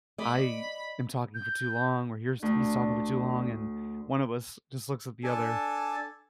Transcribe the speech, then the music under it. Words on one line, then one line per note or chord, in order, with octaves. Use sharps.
I am talking for too long or here's he's talking for too long, and one of us just looks at the other,
D5 D#5 B5
G6
D2 D4
D4 A4 G#5 A5